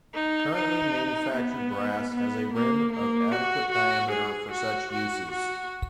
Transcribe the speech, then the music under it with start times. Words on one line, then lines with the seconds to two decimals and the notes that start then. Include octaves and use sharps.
Currently manufactured brass has a rim of adequate diameter for such uses.
0.14 D#4
0.54 D#4
1.34 B3
2.13 B3
2.53 A#3
2.92 A#3
3.31 F#4
3.72 F#4
4.11 G#4
4.51 F#4
4.92 F#4
5.31 F#4